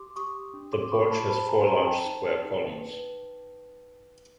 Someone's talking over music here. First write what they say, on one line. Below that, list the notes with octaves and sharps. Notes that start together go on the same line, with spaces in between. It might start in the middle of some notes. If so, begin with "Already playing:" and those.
The porch has four large square columns.
Already playing: G4 C6 D6
G4 C#6 D#6
D4
C6 D6
F4 B5 C#6
A5 B5
C5 A5 B5
G#5 A#5
C5 G#5 A#5
G5 A5
D#4
D#4
B4